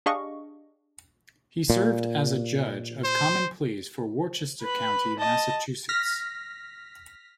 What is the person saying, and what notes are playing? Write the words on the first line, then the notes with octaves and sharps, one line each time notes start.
He served as a Judge of Common Pleas for Worcester County, Massachusetts.
D4 G4 G#4 D#5 F5 C#6
A#2
C5
B4 B5
D#5 A5
F6 A#6 B6